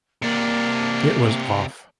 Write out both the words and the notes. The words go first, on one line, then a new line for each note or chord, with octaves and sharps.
It was off.
C3 A#3 D4